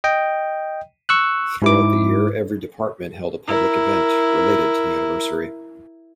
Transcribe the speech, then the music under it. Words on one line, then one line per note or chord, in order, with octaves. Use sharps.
Throughout the year, every department held a public event related to the anniversary.
D#5 G5
C#6 E6 F#6
G#2 E4 D6
E4 A#4